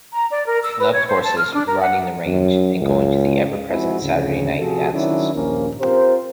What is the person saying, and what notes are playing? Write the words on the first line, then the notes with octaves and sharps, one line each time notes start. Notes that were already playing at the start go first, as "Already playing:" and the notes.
She loved horses, riding the range, and going to the ever-present Saturday night dances.
A#5
D5
A#4
E6
B4
C#5
C5
A5
F6
D4
A#4
F#5
F#2
C#2
F3 G#3 C4 E4 F#4 G#4
D2 G#2 C#3
C3 F3 F#4 G#4 A4
D#3 F#3 C#4 D4 E4 C#5
A#1 D#2 F3 A#3 C#4 F4
C4 F4 G4 A#4 C5